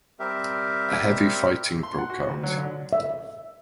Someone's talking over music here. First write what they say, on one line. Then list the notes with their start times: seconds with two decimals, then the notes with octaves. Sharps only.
A heavy fighting broke out.
0.20 G3 C4 G4 A#4 E5
1.83 C6
1.98 F#5
2.10 F#4
2.28 D2
2.43 F#3
2.57 D3
2.93 E5